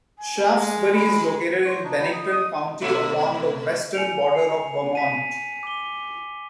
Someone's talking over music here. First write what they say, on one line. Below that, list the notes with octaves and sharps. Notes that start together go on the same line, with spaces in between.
Shaftsbury is located in Bennington County along the western border of Vermont.
G#5
G#3
B5
C5 C#6
D4 D#4
F#3 G5 B5
D#5
D#6
B2 A3 E5
G#5 C#7 F7
C7
B6 D#7
D6 G7